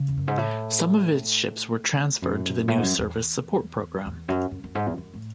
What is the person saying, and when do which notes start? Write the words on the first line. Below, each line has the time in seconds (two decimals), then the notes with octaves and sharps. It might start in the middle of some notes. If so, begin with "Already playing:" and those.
Some of its ships were transferred to the new Service Support program.
Already playing: C#3
0.08 E2
0.17 F#2
0.28 G#2
0.37 A2
2.22 F#2
2.68 A2
2.78 G#2
2.83 F#2
2.98 E2
4.06 E2
4.28 F#2
4.51 F#2
4.64 F#2
4.75 G#2
4.87 E2
4.98 F#2
5.14 A2